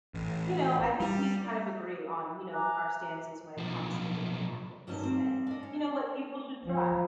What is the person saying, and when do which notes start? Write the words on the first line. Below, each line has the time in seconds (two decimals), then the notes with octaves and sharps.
you know I think we kind of agree on, you know, our stances when it comes to daily habits, and, you know, what people should try.
0.14 A1
1.00 G3
2.52 G#5 A#5 D6 F#6
3.57 B1 F3
4.87 G2 D#3 F#3 G3 C#4 A5
5.03 G3 C4
5.47 D4 D#5
5.63 C#4
6.68 F3